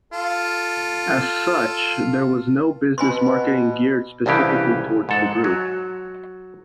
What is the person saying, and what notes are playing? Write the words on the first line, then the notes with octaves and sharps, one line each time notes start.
As such, there was no business marketing geared specifically towards the group.
F4 A4
B2 G#5 B5 C6
C2 G2 C#3 E3 G4
G#2 A4 F#5
F#3